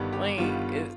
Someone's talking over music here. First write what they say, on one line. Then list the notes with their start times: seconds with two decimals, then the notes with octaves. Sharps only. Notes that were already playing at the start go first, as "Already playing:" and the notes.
Wait, is
Already playing: G1 G2 D#3 G3 B3
0.13 G4
0.38 G1 G2 D#3 G3 B3 F4